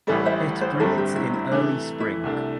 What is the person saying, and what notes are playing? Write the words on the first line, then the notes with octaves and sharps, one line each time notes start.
It breeds in early spring.
A1 A2 E3 G3 A4 D5
C5 E5
C5
G1 G2 G3 C4 A4
G4
E4
E4
C3 E3 A3 D4
E4
C2 C3 A3 D4